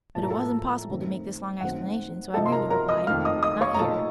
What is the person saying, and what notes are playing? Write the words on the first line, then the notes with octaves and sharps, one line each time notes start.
But it was impossible to make this long explanation, so I merely replied: "Not here."
A2 F3 A#3 A5
A#5
A4 A5
F#2 D#3 A3 C4
F#2 D#3 A3 C4 F#5
C3 F3 C4 D#4 A4 A5
C6
A#4 A#5
A#4 A#5
D#5 D#6
F2 D#3 A3 F5 F6
D#5 D#6
D#5 D#6
C#5 C#6
A#5
A#2 A3 D#4 A4 A5